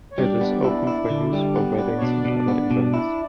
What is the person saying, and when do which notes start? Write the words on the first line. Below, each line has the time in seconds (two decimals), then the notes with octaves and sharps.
It is open for use for weddings and other events.
0.11 C#5
0.18 G3 D4 D5
0.41 B3
0.64 E4
0.87 E4
1.10 D3
1.33 G3
1.56 B3
1.79 B3
1.96 C#5
2.01 B2 D4 D5
2.25 B2
2.48 B3
2.71 B2
2.93 E4